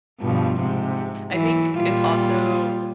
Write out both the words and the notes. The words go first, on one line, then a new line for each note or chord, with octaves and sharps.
I think it's also
G2 B2 F3
G#2 C3
E3 F#3
A#2 G3 F4